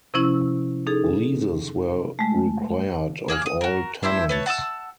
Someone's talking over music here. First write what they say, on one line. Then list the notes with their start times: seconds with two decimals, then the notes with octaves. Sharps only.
Leases were required of all tenants.
0.14 C3 F3 C#4 E4 E6
0.87 D#4 G#4 A4
2.19 G#3 A3
3.28 A#3 G#4 F6 F#6
3.42 D6 D#6
3.61 F#4 A#4
4.03 D4 E4 C5 E5
4.29 B4 C#5 A5
4.46 F#5 A5 D#6 E6